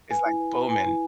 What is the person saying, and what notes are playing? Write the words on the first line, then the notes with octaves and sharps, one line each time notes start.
It's like booming.
B4 G#5
E4
B4
B4
B4 G#5
E4